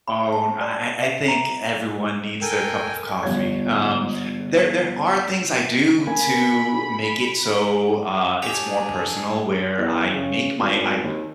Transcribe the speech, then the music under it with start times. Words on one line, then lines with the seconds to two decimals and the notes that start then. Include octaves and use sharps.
Oh, and I I I think everyone needs their cup of coffee, um, there there are things I do to make it so, uh, it's more personal where I make my I
0.08 B5
0.32 A5
0.61 D5
1.03 E5
1.28 A#5
2.41 A4 A#4 G5 G#5
3.23 G1 F3 C#5 G#6
6.07 A#3 G#5 B5
8.42 D4 G4 G#4 C#5
9.78 E2
10.13 C#3
10.59 G#1
11.03 D#2